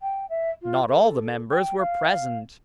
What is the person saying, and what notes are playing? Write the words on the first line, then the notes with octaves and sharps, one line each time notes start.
Not all the members were present.
G5
E5
F4
A4
G5
F5